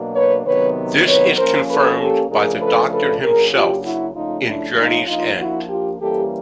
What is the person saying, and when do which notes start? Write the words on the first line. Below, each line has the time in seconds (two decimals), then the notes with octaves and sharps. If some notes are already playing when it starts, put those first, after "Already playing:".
This is confirmed by The Doctor himself in "Journey's End".
Already playing: B2 F#3 A#3 D4
0.15 B4 C#5
0.45 C3 D#3 F#3 B3 B4 C#5
1.07 B4 C#5
1.38 F3 A#3 C#4 A#4 C5
1.69 A4 B4
1.99 G4 A4
2.30 C#3 F3 A3 D4 G#4 A#4
2.61 A4 B4
2.91 A4 B4
3.23 C#3 F#3 A#3 D4 G#4 A#4
3.53 F4 G4
3.84 E4 F#4
4.15 C#3 F3 A3 C#4 D#4 F4
4.46 D4 E4
4.77 D#4 F4
5.07 F3 A#3 D4 D#4 F4
5.38 E4 F#4
5.69 F4 G4
6.00 E3 G3 A#3 C#4 G4 A4